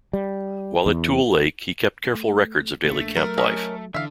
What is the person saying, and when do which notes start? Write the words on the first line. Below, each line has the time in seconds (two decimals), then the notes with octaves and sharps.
While at Tule Lake, he kept careful records of daily camp life.
0.13 G3
0.86 E2
2.15 A3
2.85 A#1 A3 A#3 D4
3.16 F#3 A#4
3.38 C#4 D#5 E5
3.94 D3 E3 E5 F5